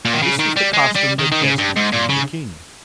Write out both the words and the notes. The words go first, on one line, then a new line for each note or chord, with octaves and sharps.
This was the costume that best became the king.
A#2
D#3
C#3
D#3
G3
G#3
G3
D#3
D#3
C#3
G2
G#2
A#2
C#3